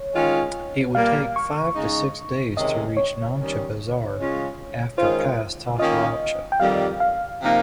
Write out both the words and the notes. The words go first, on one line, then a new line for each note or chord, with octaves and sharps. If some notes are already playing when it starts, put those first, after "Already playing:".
It would take five to six days to reach Namche Bazaar after pass Tasilapcha.
Already playing: C#5
D#3 G#3 C#4 F4
A#2 G3 A#3 F5
C#6
C#3 G#3 D#4
C3 D#3 G#3 C#4 D#5
C#5
D#3 G3 C#4
C#3 G#3 C#4 F4
D#3 G#3 C#4 F4 C5
D#3 A#3 C#4 F4 D#5
G5
F2 D#3 G3 F5
F5
C3 F3 A#3 D#4